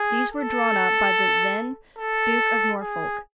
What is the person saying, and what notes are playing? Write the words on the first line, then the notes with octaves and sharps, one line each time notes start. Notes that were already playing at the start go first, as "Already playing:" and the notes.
These were drawn up by the then Duke of Norfolk.
Already playing: G#4
A4
A4
G#4